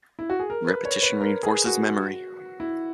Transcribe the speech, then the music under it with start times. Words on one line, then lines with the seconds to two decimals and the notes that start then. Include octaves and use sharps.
Repetition reinforces memory.
0.19 E4
0.30 F#4
0.40 G#4
0.50 A#4
0.67 B4
0.85 C#5
1.03 B4
1.20 A#4
1.43 G#4
1.66 F#4
2.60 E4